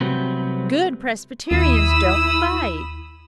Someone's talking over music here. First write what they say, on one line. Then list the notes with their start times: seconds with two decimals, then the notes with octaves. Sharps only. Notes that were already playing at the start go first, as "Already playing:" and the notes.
"Good Presbyterians don't fight."
0.01 C2 C3 F#3 A3 B3 C4
1.51 D#2 E4 B5 D#6 E6